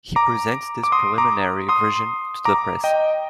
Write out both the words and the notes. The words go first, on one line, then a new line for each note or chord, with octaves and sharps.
He presents this preliminary version to the press.
A#5 D6
D6
C6 D#6
A#5 D6
C6 D#6
A#5 D6
D#5 G5